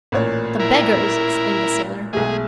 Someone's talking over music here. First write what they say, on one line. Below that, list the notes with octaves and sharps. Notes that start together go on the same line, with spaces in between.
"The beggars," exclaimed the sailor.
A1 A#2 C#5
E4 A#4
B1 G#3 A3 G#4